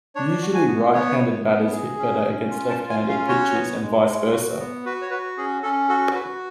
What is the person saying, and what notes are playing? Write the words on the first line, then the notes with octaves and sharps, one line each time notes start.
Usually, right-handed batters hit better against left-handed pitchers and "vice versa".
D4 C#5
F#4
G#5
B3
B3 C#5
B3
B3
G#4
C#4
C#4
F4
A5
F4
G#5
C#4
F5
F#4 C#5
B3
G#3
G#3
F#4
B3
F#4 B4
C#5
F#4 B4
C#4 G#4
C#4 A4
F#4 A4
F#4 B4